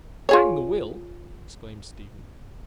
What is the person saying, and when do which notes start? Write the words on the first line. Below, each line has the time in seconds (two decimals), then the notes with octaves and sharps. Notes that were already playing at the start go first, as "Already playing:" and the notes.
"Hang the will!" exclaimed Stephen.
0.29 F4 G#4 C#5